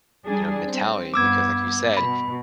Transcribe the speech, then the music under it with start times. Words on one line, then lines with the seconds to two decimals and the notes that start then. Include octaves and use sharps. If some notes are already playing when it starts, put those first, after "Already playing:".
you know, mentality because like you said,
0.24 G3 D4 G#4
0.67 C4
1.14 G2 B3 D6 E6 G#6
1.97 B2 B5